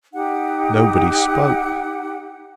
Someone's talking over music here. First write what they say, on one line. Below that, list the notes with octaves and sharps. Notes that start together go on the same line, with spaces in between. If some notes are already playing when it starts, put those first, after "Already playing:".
Nobody spoke.
D#4 G4 F#5